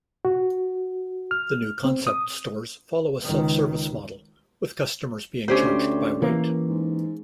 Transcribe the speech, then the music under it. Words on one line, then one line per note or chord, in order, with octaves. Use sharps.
The new concept stores follow a self-service model, with customers being charged by weight.
F#4
F6
C4
D#6
C#2 D#3
D2 C#4 G4 C5
E3 A#3
G#2